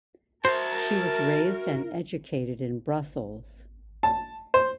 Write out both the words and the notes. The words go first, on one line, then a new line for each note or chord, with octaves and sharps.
She was raised and educated in Brussels.
F#4 A#4 C5 E5 A5
A5
C5